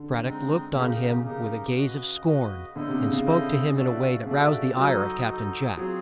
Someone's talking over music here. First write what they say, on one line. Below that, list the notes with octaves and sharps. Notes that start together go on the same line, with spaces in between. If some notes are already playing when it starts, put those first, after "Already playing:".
Brad-dock looked on him with a gaze of scorn, and spoke to him in a way that roused the ire of Cap-tain Jack.
Already playing: D3
G#3 C4 D#4
C#3 D#4 G4 A#4
C#3 D#4 G4 A#4
F#4 B4 D#5
F#4 B4 D#5
D3 C#4 E4 A4 C5 D#5
C3
C#3
C#3
C#4 E4 A4 C5 D#5
A3 D4 F#4 A4 D5
C#3 A3 D4 F#4 A4 D5
F#3 D#4 F#4 A4 C5 D#5
D#4 F#4 A4 C5 D#5
F#3 C4 F4 G#4 C#5